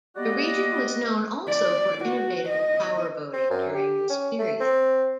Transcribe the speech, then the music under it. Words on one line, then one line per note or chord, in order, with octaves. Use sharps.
The region was known also for innovative power boating during this period.
G3 A#3 B3 F#4 D5 D#5
D5
F#4
D#5
C4
F#2
G4
C#4
A3
C4